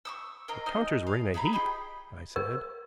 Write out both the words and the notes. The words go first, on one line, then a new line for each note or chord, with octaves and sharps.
"The counters were in a heap," I said.
C#6 D#6 E6
A#4 D#5 F5 A#5
D#4 D#5 G#5 F6
F5
G#4 E5 A#5 B5
F4 G4 G#4 D#5
A#4